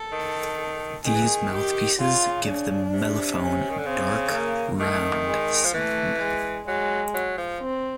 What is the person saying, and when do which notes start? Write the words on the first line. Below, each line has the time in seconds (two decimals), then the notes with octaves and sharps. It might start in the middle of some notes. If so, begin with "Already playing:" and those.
These mouthpieces give the mellophone a dark, round sound.
Already playing: A4
0.12 D#3
1.05 D#3 G#4
1.15 E3
1.26 D#3
1.52 G4
1.99 C#3 F4
2.47 D4
2.93 C3
3.39 C#4
3.70 D#3
3.78 D3
3.86 C#3 C4
4.33 A#3
4.80 D#3 A3
5.27 G#3
5.65 F3
5.74 E3 A3
6.20 G#3
6.67 F#3 G#3
7.14 F#3
7.38 F3
7.60 C4